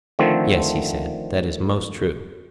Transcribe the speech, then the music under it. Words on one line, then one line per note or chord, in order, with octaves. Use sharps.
Yes, he said, that is most true.
D3 D#3 F3 A3 C4